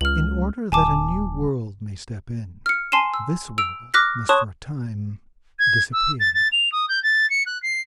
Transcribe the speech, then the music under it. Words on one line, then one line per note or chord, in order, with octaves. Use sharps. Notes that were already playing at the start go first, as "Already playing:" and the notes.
In order that a new world may step in, this world must for a time disappear.
C#2 F6 F#7
D#1 G#5 A5 D6
F6 C#7
G#5 A5 C6 C7 D#7 E7
E6
E6 D7 F7
D6 F6 F#6 A#6 B6
C#5 A5 C6 C#6 D#6 F#6
G#6
E6
A6
A6
F7
D#6
G6
A6
C#7
F#6
C7